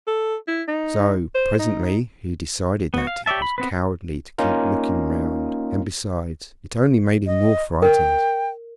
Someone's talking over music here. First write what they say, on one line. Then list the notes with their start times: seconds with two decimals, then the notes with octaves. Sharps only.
So presently he decided that it was cowardly to keep looking round, and besides, it only made him more frightened.
0.07 A4
0.48 E4
0.68 D#4
1.35 C5
1.59 D#4
2.94 B3 F#4
3.07 F5
3.26 G4 C#5 D5 E5 A5
3.42 B5
3.58 B3 C4 B4
4.38 A#3 C#4 D#4 F4 A#4
7.26 D#5
7.82 A#4 G5